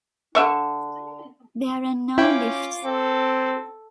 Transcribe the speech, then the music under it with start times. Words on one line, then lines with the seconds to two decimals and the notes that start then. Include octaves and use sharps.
There are no lifts.
0.35 D3 E5 C#6
2.18 C#4 E4 F4 G5 D6
2.85 C4 A4